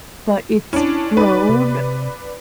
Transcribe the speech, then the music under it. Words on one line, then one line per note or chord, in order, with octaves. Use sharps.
but it's grown,
C#4 D4 E4
D#4 B4 D5
C3